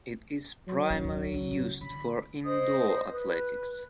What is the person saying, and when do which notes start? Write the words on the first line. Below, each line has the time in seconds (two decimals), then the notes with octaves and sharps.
It is primarily used for indoor athletics.
0.67 F#3
0.90 C#4
1.04 C#2
1.34 D#3
1.51 C#3
1.81 D3 B5
2.45 C5 D#5 D#6
3.11 B4